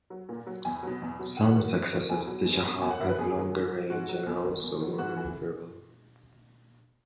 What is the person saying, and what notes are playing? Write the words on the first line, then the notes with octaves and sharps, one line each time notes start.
Some successors to the Shahab have longer range and are also more maneuverable.
F#3
A#2
F#3
E2 G#5
B2 F#3
E2
B2 F#3
F#2 F#5
D#3 F#3
F#2
D#3 F#3
E2 G#5
B2 F#3
E2
B2 F#3
E2 G#5
F#5
D#3 F#3 E5
B4
E2 G#4
D#3 F#3
G#2
F#3
G#2 F#4
F#3
E2
D#3 F#3
E2
D#3 F#3
G#2 F#4
E3